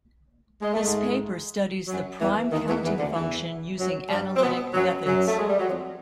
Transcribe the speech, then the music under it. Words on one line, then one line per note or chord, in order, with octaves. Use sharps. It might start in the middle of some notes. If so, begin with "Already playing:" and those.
This paper studies the prime-counting function using analytic methods.
G#3
A3
G#2 G#3
F#2 F#3
E2 E3
D#2 D#3
E2 E3
E2 E3
D2 D3
E2 E3
F#2 F#3
G2 G3
C4
B2 B3
F#2 F#3
F#2 F#3
A3
G#3
G3
F#3
F2 F3